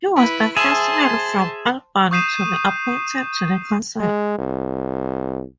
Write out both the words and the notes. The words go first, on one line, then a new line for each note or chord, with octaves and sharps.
He was the first man from Albany to be appointed to the council.
E4 B4
G#4 C5 E5 A5
C#6 D#6 G6 C7 D#7 E7
G#3
C2